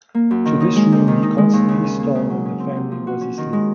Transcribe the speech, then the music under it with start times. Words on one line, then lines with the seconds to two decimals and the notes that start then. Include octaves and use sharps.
To this room he constantly stole when the family was asleep.
0.15 A#3
0.31 F#2
0.45 D#3
0.61 D#4
0.76 G#3
0.92 C3
1.08 D#3
1.23 D#4
1.38 G#3
1.53 D#2
1.69 C#3
1.84 C#4
2.00 A#3
2.15 C#3
2.30 F#3
2.45 C#4
2.60 C4
2.76 C3
2.92 F3
3.07 F#4
3.21 C#4
3.38 D#3
3.53 G#3